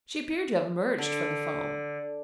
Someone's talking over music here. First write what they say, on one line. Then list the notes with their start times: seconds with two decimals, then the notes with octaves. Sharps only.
She appeared to have emerged from the foam.
0.98 D3